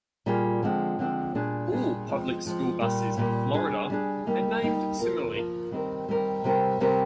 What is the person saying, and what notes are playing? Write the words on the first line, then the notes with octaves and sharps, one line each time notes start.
All public school buses in Florida are named similarly.
A#2 G3 A#3 F4 G#4
D3 F3 G#3 C4
D3 F3 G#3 C4
A#2 G3 D4 G#4
A#2 G3 D4 G#4
F3 G#3 C4
F3 G#3 C4
A#2 G3 A#3
A#2 G3 A#3
G3 D4 G#4
G3 D4 G#4
G3 A#3 D#4
G3 A#3 D#4
F3 A#3 F4 A#4
F3 A#3 F4 A#4
D#3 G3 C4 G4 A#4
D#3 G3 C4 G4 A#4
C3 G3 C4 G4 A#4
C3 G3 C4 G4 A#4